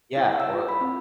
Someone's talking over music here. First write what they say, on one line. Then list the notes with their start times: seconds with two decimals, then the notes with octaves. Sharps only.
Yeah, or
0.17 E4
0.40 E6
0.54 F4
0.68 B5
0.81 C4